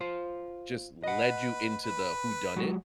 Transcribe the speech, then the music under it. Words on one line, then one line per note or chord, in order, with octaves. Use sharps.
just led you into the whodunit,
F4 C5
B4 D#5 F#5
B4
F#3 G#3 F#4